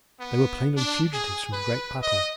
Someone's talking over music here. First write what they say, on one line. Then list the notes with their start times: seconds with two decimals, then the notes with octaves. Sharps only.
They were plainly fugitives from the great battle.
0.20 B3
0.77 D4
1.13 G#4
1.52 B4
2.01 D#5